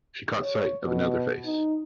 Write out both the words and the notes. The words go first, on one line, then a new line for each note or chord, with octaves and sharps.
She caught sight of another face.
C#5
B2
D#4